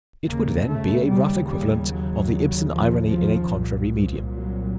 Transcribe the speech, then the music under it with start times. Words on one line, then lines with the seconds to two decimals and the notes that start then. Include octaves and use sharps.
It would then be a rough equivalent of the Ibsen irony in a contrary medium.
0.25 D#2 C#3 A#3
0.66 A3
1.07 G3
1.47 G3
1.88 F#3
2.69 F3
3.09 F3
3.50 C2 A#2
4.31 F#3